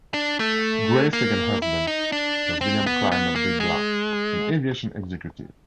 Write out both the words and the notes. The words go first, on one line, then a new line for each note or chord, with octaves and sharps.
Gray's second husband was William Clymer Bidlack, an aviation executive.
D4
A3
A#3
E4
D#4
D4
C4
B3
B3
A#3
G#3